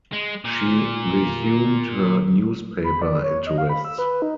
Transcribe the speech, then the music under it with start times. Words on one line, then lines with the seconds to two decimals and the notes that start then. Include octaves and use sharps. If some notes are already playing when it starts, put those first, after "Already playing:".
She resumed her newspaper interests.
0.12 G#3
0.45 A#2
2.84 B5
3.02 D5
3.23 C#5
3.47 D#5
3.58 F5
3.69 B5
3.85 E6
3.99 B4
4.22 D#4